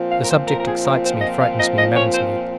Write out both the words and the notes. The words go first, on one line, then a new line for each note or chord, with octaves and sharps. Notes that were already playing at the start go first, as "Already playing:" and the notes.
The subject excites me, frightens me, maddens me.
Already playing: A#2 F3 C4
F5
A#4
C5
A#4
A#4
G#4
A#4
C5
D#5
F5
D#5
D#5
C#5
C5